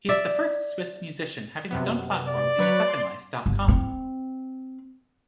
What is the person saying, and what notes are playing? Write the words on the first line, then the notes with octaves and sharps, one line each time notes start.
He is the first Swiss musician having his own platform in SecondLife dot com.
D5 E5
F#2 C3 B3
D5
F#3 B4 C#5
C6
G1
C4